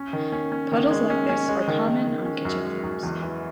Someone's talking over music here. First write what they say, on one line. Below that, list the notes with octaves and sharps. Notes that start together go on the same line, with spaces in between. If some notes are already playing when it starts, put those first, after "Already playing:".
Puddles like this are common on kitchen floors.
Already playing: C#4
D#3
C#4
C#4
D#3
G#3
C#4
C#4
G#3
D#3
D#3
D#3
C#4
F#2
G#3
F#2
E2
E3